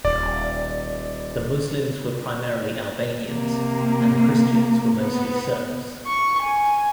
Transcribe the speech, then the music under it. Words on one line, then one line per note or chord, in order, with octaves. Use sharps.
The Muslims were primarily Albanians and the Christians were mostly Serbs.
D#1 D5
C3 A#3
B3
C#6
G#5